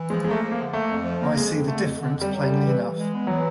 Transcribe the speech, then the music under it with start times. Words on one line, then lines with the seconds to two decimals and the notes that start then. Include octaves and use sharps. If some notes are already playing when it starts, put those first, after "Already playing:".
I see the difference plainly enough.
Already playing: E3
0.09 F3 G#3
0.24 G#3 A#3
0.31 A3
0.41 F3
0.51 A#3
0.58 D3
0.73 A3 A#3
0.89 F2
1.04 F3
1.21 A#3
1.36 F2 G#3
1.52 F2
1.68 D3 A3
1.84 F2
2.00 D3
2.16 F2
2.21 G3
2.32 F#3
2.43 D3 G3
2.64 E3
2.80 E3
2.96 G#3
3.12 B3
3.27 E3 F#3